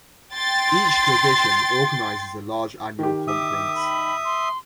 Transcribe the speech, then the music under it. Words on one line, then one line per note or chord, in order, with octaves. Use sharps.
Each division organises a large annual conference.
G5 C6 A6
D#3 G4
E5 D6 D#6
B5
C6